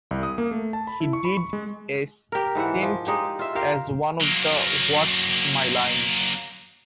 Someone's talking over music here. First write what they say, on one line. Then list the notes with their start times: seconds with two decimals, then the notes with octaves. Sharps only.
He did a stint as one of the What's My Line?
0.11 C2
0.23 D#6
0.38 A#3
0.51 A3
0.73 A5
0.87 B5
1.00 E4
1.13 C#6
1.25 B5
1.37 C#6
1.53 G#3
2.32 G4 A#4
2.55 G#2 E3 E5 F#5
2.82 F3
3.07 G#3 D#4 G4
3.39 F4 E5
3.55 F4 G4 A#4 F5
4.21 F#3 A#3